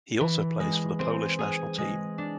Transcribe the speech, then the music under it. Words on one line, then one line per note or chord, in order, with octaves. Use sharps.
He also plays for the Polish national team.
E3
G#3
C4
G#4
G#3
D4